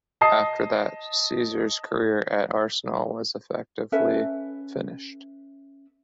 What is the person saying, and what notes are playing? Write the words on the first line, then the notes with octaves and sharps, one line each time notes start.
After that, Caesar's career at Arsenal was effectively finished.
D#5 A5 D#6 C7
C#4 A4 B4 E5